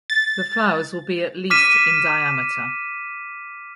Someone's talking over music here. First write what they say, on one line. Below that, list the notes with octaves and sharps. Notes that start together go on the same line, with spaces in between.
The flowers will be at least in diameter.
A6
D6 F6 B6 D#7 E7